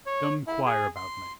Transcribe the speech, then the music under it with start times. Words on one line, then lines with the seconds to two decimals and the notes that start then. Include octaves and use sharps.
Don't inquire about me.
0.06 C#5
0.47 E4
0.66 G#4
0.96 C6